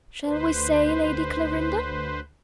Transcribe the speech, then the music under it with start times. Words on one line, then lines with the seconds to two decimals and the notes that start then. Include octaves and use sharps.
Shall we say Lady Clarinda?
0.23 D2 B4 C5